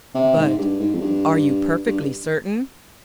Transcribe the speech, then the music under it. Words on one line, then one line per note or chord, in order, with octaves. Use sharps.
"But are you perfectly certain?"
C3
G#2
G2
G#2
F2
G2
G2